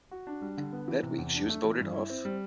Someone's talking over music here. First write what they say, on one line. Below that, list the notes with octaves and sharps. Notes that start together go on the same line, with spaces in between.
That week, she was voted off.
F#4
D4
G3
D3
B3
E3
C3
E2
D4
A3
E3
G2
E4
C4
G3